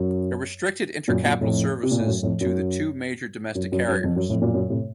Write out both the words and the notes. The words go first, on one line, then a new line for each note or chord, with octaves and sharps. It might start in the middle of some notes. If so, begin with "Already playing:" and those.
It restricted intercapital services to the two major domestic carriers.
Already playing: F#2
F#2 A#2
F#2 A#2
F2 A2
C3
A#2
A2
F#2
F2 A2
F#2
F#2
F#2
F#2
F2
F#2
F2 A2
F#2 A#2
F#2 A#2
A2 C3